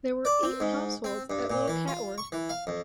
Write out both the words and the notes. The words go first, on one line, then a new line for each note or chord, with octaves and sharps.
There were eight households at Little Catworth.
D5
C4
G#2
C4
G2
A#2
E3
F4
C#6
E3
F5
F2